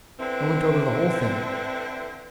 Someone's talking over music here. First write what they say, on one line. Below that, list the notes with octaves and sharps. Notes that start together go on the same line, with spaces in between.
I went over the whole thing.
D3 E3 C4